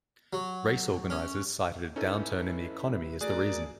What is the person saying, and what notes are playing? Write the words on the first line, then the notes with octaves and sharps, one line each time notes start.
Race organizers cited a downturn in the economy as the reason.
F#3
C#4
C#4 D#4 E4 A4 B4
A3 F#4 G#4 A#4 D5 A#5